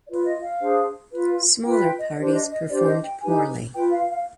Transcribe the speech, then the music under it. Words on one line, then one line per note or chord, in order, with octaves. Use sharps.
Smaller parties performed poorly.
F4 B4 D5
D#5
F5
D4 G#4 C5
F4 B4
F4 B4 G5
G5
D#5
D4 G4 C5 D5
D#5
D#5
D4 G4 C5 D5
D#5
G5
D#4 G4 B4 G#5
F4 B4 G5
F5
F5